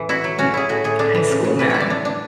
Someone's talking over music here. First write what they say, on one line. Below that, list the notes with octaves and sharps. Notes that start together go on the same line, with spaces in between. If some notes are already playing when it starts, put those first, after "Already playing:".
Yeah, high school, man,
Already playing: A2 E3
E4 F#4
F#3
C#4 F#4
E4 G#4
A2 F#4
A2 G#4
D4
E3
C#3
C#3
E3 B4
E4 C#5
D5
D4
D4